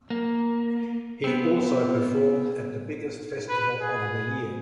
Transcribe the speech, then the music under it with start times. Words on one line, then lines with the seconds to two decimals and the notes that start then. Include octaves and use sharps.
He also performed at the biggest festival of the year.
0.10 A#3
1.24 B3 C4
3.49 B4
3.81 G#4